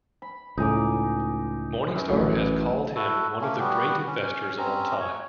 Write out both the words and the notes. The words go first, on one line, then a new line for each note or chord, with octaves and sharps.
Morningstar has called him "one of the great investors of all time".
B5
C#2 A2 D#4 G#5 D6
F#2 B4
A1 A2 F#3
E4 F#4 A4
A3 A#3 C#4
G3 B3 F#4 G4
C#4
C4 C#4 A#5
C#5